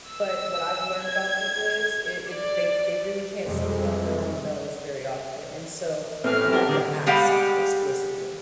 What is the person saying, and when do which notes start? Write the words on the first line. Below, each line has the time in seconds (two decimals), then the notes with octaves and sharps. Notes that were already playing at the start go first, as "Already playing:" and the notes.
but what I've learned about people is it it they they really can't see beyond their own nose very often, and so you have to ask explicitly.
0.10 E6
1.04 G#6
2.28 D5
3.43 F2 C3 G3 G#3
6.24 A2 C3 E3 C4 F6
6.52 G4 A4 A#4
6.69 D3 A#3 G4 G#4
7.07 G3 G#3 G4 F5 F#5